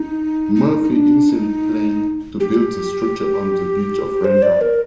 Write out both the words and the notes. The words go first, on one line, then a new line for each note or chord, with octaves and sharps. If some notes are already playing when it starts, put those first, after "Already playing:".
Murphy initially planned to build the structure on the beach of Rangali.
Already playing: D#4
D#4
D#4
D4
D#4
G4
C5
D5
A#4